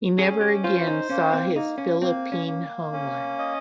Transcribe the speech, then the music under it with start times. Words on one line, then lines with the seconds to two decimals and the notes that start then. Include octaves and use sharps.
He never again saw his Philippine homeland.
0.18 C#4 G#4
0.41 G4
0.64 F4 C5
0.87 D#4
1.10 A#3 C#4
1.33 C4
1.55 A#3 D#4
1.78 C#4
2.02 A#3 C4
2.32 C#4
2.47 A#3
2.92 C#4
3.39 D#5